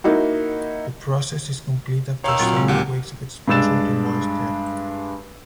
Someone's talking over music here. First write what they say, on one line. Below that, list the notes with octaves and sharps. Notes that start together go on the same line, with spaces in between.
The process is complete after several weeks of exposure to moist air.
A#3 D#4 E4 F#4
D#3 C#5 F5 E6
A#2 F#3 C4 F#4
C#3 G#3 C4
D#2 G4 F#5
G2 G#3 D4 E6 A6 E7